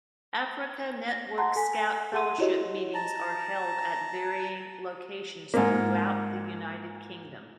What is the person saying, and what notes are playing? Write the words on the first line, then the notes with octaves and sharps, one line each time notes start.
Africa Network Scout Fellowship meetings are held at varying locations throughout the United Kingdom.
A#6
F#5 A5 A#5 C6
A4 G#5 B6
G#4 A4 F#5 C6 D#7
E4 F#4 G4 C#5 D#5
A5 A#5
G#2 A#3